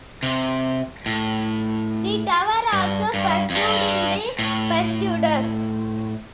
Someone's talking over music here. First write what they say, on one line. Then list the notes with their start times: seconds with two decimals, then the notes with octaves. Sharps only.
The tower also featured in The Persuaders!
0.23 C3
1.06 A2
2.73 G2
3.14 G2
3.50 F2
3.55 G2
4.39 A2